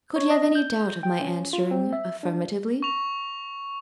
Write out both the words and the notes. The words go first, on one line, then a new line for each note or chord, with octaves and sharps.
Could he have any doubt of my answering affirmatively?
C#5
D#5
G6
G5
C#4
F4
C4
E5
D4
C#6 F7